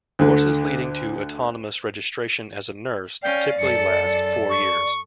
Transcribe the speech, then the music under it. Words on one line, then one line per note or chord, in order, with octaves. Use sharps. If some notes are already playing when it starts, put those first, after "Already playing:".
Courses leading to autonomous registration as a nurse typically last four years.
D2 D3
C#4 D5 F5 G5
F#2 A4 C#7
C#6